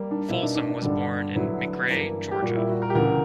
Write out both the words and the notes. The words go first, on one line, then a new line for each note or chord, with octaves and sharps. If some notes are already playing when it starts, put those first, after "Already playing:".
Folsom was born in McRae, Georgia.
Already playing: G3 A#3
D4
B2 A#3 E4
D4
D4
D4
G2 D3 G3
D2 D3 F#3 B3 E4
G2 E3 A#3
G4
A#2 G3 A#3 F#4
E4
F#4
A#4
G4
D2 C#3 E3 A#4